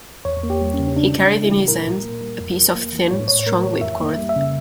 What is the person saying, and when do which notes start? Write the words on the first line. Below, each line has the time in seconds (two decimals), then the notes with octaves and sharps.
He carried in his hand a piece of thin, strong whipcord.
0.25 E2 C#5
0.43 A#3
0.50 G4
0.62 G3
0.74 C#4
0.80 C#3
0.88 C#4
0.96 C#3 D4
1.14 C#3
1.21 D4
1.32 A3
1.44 E4
1.50 E3
1.68 A#2 A#4
1.86 A#2
2.03 A#3
2.22 G3
2.40 F2
2.57 F2
2.75 A#3
2.92 E3
3.11 A2 C#5
3.28 A2 C#5
3.39 C#5
3.47 A3 A#4
3.63 E3 C#5
3.81 F2 E5
4.00 A#3
4.18 G3
4.29 E5
4.36 C#3